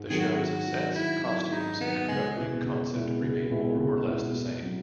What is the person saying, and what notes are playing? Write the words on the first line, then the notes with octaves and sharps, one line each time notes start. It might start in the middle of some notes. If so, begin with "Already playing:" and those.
The show's sets, costumes and governing concept remain more or less the same.
Already playing: G#2
D#3 F#3 G#4
F#4
E4
G#2 F#4
D#3 F#3
G#2 E4
D#3 F#3 E4
G#2 D#4
D#3 F#3 B3
C#2 G#3
B2 E3 G#3 B3 E4
C#2
B2 G#3 B3 E4
C#2
B2 G#3 B3 E4
C#2
B2 G#3 B3 E4
A2
F#3 C#4